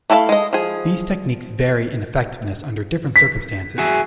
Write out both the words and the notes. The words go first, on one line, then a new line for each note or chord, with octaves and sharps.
These techniques vary in effectiveness under different circumstances.
A3 E4 A4 D5 F5
G#3 D#5
F3 G#4
B6
F#4 G#4 E5